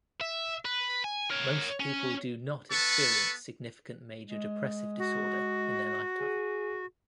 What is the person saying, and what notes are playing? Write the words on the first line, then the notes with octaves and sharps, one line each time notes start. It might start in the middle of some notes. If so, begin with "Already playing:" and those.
Most people do not experience significant major depressive disorder in their lifetime.
E5
B4
G#5
A#4 C#5
C#4
B3 A4 B4 A5 C#6
G#3
F#4
G#4